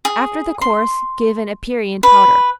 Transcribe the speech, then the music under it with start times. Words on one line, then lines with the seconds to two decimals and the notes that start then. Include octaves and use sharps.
After the course give an aperient powder.
0.05 G#4
0.61 C6
2.03 B4